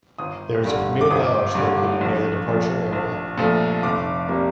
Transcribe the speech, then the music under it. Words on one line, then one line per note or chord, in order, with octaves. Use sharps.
There is a premier lounge located near the departure area.
G1 D#6
G2 D3
D6
G1 D#6
G2 D3
A#1
A#2 F3 A3
A#1
A#2 F3 A3
F1 D6
C3 G3 A#3